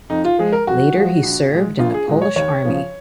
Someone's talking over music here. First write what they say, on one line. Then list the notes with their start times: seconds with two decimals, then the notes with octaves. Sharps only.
Later he served in the Polish Army.
0.10 F2 D#4
0.25 F4
0.39 F3 G#3 G#4
0.52 A#4
0.67 F2 F#4
0.95 F3 G#3
1.23 A#1
1.51 A#2 G#3
1.79 A#1 F4
1.94 G#4
2.08 A#2 G#3
2.22 C#5
2.36 D#2 C#5
2.65 C#3 F3